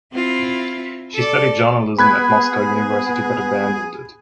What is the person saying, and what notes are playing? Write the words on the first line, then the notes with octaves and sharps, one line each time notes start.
She studied journalism at Moscow University, but abandoned it.
C4 E4 F4
A4 D5
B3 G#4 G#5 B5 F#6 G#6